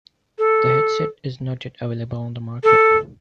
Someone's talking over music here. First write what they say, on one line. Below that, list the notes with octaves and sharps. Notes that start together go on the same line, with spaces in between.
The headset is not yet available on the market.
A4
A4